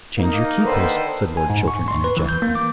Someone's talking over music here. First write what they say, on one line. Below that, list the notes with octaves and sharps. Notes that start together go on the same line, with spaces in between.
"Change your keepers," said Lord Chiltern energetically.
A#3 D#4
D3 D#3 A#3 A4 B4 C5
G#5
G#2
C#6
C6
B4
E3
G6
A#3
D6